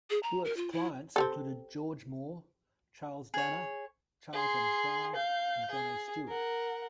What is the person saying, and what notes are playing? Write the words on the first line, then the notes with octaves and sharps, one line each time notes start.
Buek's clients included George Moore, Charles Dana, Charles M. Fry and John A. Stewart.
G#4
A#5
A#4
F4
E4
C4 G4 A4
G#4 C#5
G#4 C6
F5 G6
G#4
A#4 F#5